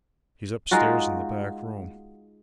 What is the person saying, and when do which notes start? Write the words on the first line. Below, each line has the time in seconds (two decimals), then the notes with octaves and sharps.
"He's upstairs in the back room."
0.71 G#3 D#4 F4 F#4